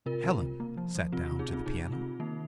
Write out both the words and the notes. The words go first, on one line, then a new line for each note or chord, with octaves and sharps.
Helen sat down to the piano.
C3 F4 A#4
C3
C3
A#3
F3
F3
C3 C4 F4
C4 F4
C3
D#4 G#4
C3 C4 F4
C3 D#4 G#4
C3
C4 F4
C3
D#3 A#3 D#4